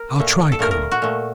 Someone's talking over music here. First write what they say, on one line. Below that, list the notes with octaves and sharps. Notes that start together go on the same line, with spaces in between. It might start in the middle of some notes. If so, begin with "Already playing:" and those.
"I'll try, Colonel!"
Already playing: A#4
A#2 A3
A4
A#2 A3 A#4
A#4
F#4
A#2 A3